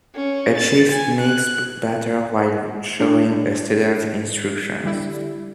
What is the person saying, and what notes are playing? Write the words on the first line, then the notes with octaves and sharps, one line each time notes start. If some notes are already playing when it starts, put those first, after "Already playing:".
A chef mixes batter while showing a student instructions.
C#4
A6
G#5
F#6
G#3 D4
D3 G3 E4